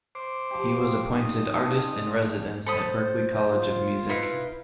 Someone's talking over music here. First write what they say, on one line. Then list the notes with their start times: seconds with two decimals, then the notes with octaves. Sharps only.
He was appointed artist in residence at Berklee College of Music.
0.15 C5 D6
0.51 F3 G4
1.12 D#4
1.52 G#2 C4 D4
2.66 A4 C5 B5 D#6
3.52 F4
4.09 D#4 E4 B4 F5